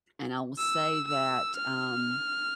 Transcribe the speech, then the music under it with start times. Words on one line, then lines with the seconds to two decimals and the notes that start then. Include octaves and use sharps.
And I will say that, um
0.59 E6
1.08 E6
1.57 F6